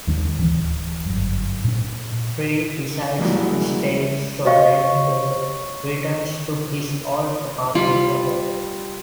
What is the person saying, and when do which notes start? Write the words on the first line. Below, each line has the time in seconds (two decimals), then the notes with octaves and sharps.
Fry decides to stay, so Bender returns to his old apartment alone.
0.07 D#2 D#3 G#3 D4
0.37 D1 E3 D4
1.05 G1 F#2
1.64 A#2 D4
3.19 F3 G3 G#3 A#3 E4 F#4
4.45 F#4 C#5 D#5 F5 C#6
7.75 G3 F4 B5